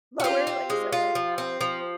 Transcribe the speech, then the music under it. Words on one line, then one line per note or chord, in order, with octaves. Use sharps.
lower, like you said, like, um,
F#4
C4 F4 G4
C4
G#3
F4
F3
C4
F3